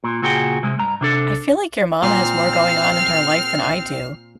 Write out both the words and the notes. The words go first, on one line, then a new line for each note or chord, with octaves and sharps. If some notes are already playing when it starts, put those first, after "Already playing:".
I feel like your mom has more going on in her life than I do-
A#2
C#2 A#2 F#4 G#4 A4 G5
C3 G#3
G2 A#5
C3 D4 A4
A#2 C4 F6 C7